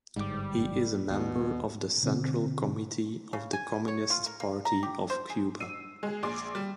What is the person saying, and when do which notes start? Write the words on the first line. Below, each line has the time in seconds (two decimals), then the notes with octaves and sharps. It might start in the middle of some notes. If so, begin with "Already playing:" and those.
He is a member of the Central Committee of the Communist Party of Cuba.
0.16 G1 G#2 G3 D6
1.10 D#2 B2
2.03 B2 D3 C4
3.33 C#3
3.53 G#5
3.88 C#5
4.10 F4
4.26 A#4
4.40 A#3
4.65 A#5
4.83 G4
5.10 C5
5.30 G#4
5.60 E6 C7 D#7
6.03 G#3 G#4
6.23 A#1 G#4 C6 D6
6.55 G3